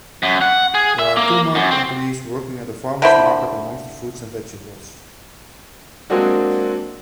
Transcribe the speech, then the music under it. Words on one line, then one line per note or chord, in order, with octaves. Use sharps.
There are two market employees working at a farmer 's market amongst the fruits and vegetables.
F#2
F#5
G#4
E5
A#3
F#2
C4
D3 E4 C5 B5
F#3 G#3 A#3 C4 D4 F#4